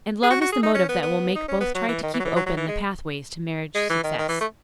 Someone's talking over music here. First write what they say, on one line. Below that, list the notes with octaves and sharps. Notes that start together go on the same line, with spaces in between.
And love is the motive that will make both try to keep open the pathway to marriage success.
G#4
F#4
F#4
G#4
D#4
C#4
B3
B3
D#4
C#4
B3
F#3
E3
D#3
E3
F#3
E3
F#3
F#3
E3
G#3
G#3
E3
D#3
D#3
E3
A3